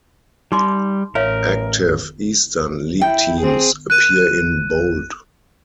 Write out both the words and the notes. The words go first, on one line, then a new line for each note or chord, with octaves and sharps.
Active Eastern League teams appear in bold.
G3 D#4 C6 D6
A1 A#4 C#5 E5 F5
E4 G5
C4 G#4
F#6 D#7